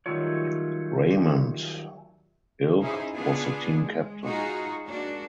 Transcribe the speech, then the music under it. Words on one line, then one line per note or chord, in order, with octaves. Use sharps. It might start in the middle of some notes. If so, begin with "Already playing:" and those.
Raymond Ilg was the team captain.
D#3 F#3 G3 A3 F4 C#5
C#4 D#4 E4 G#4 C5
B3 D4 F4 G#4
G#3
D#4 F4 F#4 G#4
G#3 A#3 D4 F#4